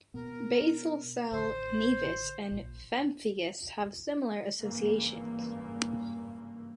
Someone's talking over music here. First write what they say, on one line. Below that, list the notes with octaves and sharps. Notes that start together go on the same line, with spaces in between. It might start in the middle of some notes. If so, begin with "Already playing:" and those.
Basal-cell nevus and pemphigus have similar associations.
B2 B3 A#4
A1 D3 C5
A#1 A#2
G#1 G2 C#3 E3 A#3